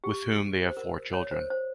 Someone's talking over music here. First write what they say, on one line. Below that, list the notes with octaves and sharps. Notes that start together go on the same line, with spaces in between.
With whom they have four children.
G4
C5
A#4
C#5
C5
C5